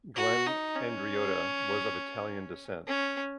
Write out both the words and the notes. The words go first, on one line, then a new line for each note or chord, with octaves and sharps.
Glenn Andreotta was of Italian descent.
F#4
D#4
C#4
C#4